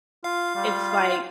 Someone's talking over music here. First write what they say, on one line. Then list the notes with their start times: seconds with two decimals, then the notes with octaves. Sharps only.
it's like
0.24 F4 F5
0.56 G3 F4